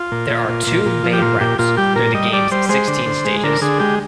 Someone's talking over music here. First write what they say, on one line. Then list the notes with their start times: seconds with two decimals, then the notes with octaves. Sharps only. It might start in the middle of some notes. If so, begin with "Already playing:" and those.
There are two main routes through the game's sixteen stages.
Already playing: F4
0.12 A#2
0.30 A#2
0.49 A#2
0.67 A#2
0.86 A#2
1.04 F3
1.13 G4
1.22 A#2 F4
1.41 A#2 G4
1.59 A#2 F4
1.77 G3 G4
1.96 A#2 A#4
2.14 G3 D#5
2.33 G3 D5
2.52 G3 C5
2.69 G#3 C5
2.88 D3
3.06 D3
3.25 G#3
3.43 D3 A#4
3.62 D3 G#4
3.80 G#3 G4